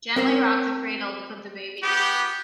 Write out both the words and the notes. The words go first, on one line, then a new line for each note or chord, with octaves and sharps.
Gently rock the cradle to put the baby to sleep.
C4 A#4 C5
B3 G4